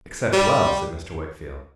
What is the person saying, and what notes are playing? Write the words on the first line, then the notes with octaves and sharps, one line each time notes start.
'Except well?' said Mr. Wickfield.
G3